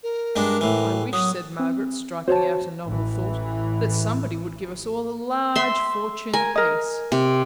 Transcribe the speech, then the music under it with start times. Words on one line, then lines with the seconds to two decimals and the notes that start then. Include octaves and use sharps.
"I wish," said Margaret, striking out a novel thought, "that somebody would give us all a large fortune apiece!"
0.03 A#4
0.36 G2 G#3 D4
0.61 A2 E3
1.13 F#3 D#6
1.60 C4
2.28 F#4 C5 C#5 A5
2.85 A1 E3
5.56 E5 C6
6.33 A#4 G#5
6.56 A#4 D#5
7.12 C3